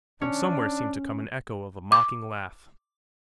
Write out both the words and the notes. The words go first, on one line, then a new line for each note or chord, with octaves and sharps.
From somewhere seemed to come an echo of a mocking laugh.
C#4 D4
D6